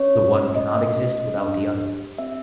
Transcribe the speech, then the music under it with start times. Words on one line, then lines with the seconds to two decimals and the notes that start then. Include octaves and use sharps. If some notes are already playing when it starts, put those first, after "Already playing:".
The one cannot exist without the other.
Already playing: C#4 C#5
0.15 F4
0.56 A3 D#5
0.96 C#4
1.37 D4
1.78 G4
2.18 C4 E5